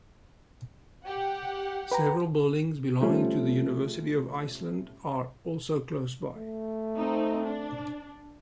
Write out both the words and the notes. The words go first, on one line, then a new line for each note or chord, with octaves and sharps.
Several buildings belonging to the University of Iceland are also close by.
G4 F#5
B4 G5 A#5
F3 G3 A3 C#4
A3
C4 D#4
D4